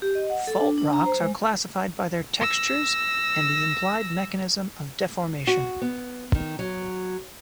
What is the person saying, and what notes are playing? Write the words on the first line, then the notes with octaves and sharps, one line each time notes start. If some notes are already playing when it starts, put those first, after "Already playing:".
Fault rocks are classified by their textures and the implied mechanism of deformation.
G4
D#5
F#5
A4
D4
D4
A#5
C5
G#3
E6 A#6
F#4
B3
D#3
F#3